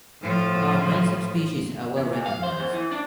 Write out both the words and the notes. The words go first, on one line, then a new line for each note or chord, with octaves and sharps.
About nine subspecies are well recognized.
A2 F3
E3
D2
F5
C5
F#2
E3
D4